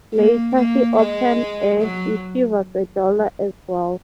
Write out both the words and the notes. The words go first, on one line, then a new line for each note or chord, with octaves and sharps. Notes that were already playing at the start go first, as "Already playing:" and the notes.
Later he opened a "Yeshiva Gedola" as well.
A#3
A#3
G#3
F#3